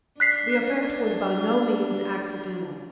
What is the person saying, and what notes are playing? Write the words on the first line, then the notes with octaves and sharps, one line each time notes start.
The effect was by no means accidental.
D4 F#6 B6 C7